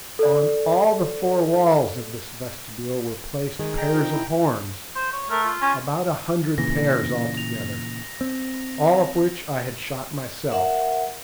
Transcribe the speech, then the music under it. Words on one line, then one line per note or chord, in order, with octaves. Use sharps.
On all the four walls of this vestibule were placed pairs of horns--about a hundred pairs altogether, all of which I had shot myself.
A4 D5
D#3 G#3
D#5 G5 A#5
F3 D#4
E4
C5
C#5
A3 A#4
F4
C#4
A#2 C#3 E3 A#6
F7
C4
A#4 E5 F#5